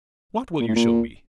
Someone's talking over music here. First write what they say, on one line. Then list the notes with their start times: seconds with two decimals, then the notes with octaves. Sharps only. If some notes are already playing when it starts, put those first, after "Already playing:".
What will you show me?'
0.60 A#2
0.68 A2
0.75 A#2